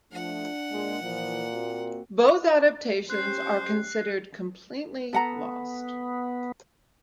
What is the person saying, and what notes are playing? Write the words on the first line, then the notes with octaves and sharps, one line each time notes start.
Both adaptations are considered completely lost.
F3 A3 D4 F#5
A#2 G#3
A#2 E3 F3
A#3 C4 F#4
C#4 G4 C5 F#6 C7
B3 A4 F#5 A#5